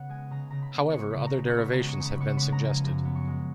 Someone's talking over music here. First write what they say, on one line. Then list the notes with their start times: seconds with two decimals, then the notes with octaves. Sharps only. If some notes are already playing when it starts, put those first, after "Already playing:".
However, other derivations have been suggested.
Already playing: C#3 B3 F#5
0.09 G#3 G#5
0.31 C#3 A#5
0.50 C#3 A#5
0.62 B5
0.73 B3
0.94 G#3 C#6
1.11 C#3 B5
1.26 A#5
1.37 C#3
1.50 C#6
1.57 B3 B5
1.73 A#5
1.79 G#3
1.89 C#6
2.00 C#3 B5
2.20 B3 C#6
2.37 G#3 B5
2.52 A#5
2.63 F3
2.68 G#5
2.84 F#2 A#5
3.05 B3
3.16 C#6
3.27 G#3